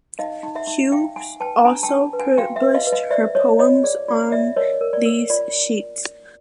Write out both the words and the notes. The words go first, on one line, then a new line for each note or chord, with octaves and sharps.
Hughes also published her poems on these sheets.
D#4 D#5 F5
D#4
E5 F#5
D#4
D#4 F5 G5
D#4 F#5 G#5
B4 G5 A5
D4 G#5 A#5
G5 A5
D4
B4
F#5 G#5
F#4 F5 G5
E5 F#5
B4
D#5 F5
B4
D#5 F5
C5 D5 E5
C5 C#5 D#5
F4 C#5 D#5
G#4 D5
F4 D5
F4 D5 E5
A#4 C#5 D#5
A#4
D5
A#4
F4 D5